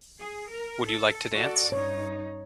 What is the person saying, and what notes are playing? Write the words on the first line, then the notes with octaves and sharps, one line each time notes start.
Would you like to dance?
G#4
A#4
A4
F#4 A4 D5
G2 D#4 C#5